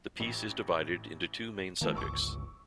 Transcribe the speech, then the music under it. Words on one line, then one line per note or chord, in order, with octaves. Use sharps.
The piece is divided into two main subjects.
A1
D#3 F3 G#3 A#3
G1 C#2 C#6 D6 E6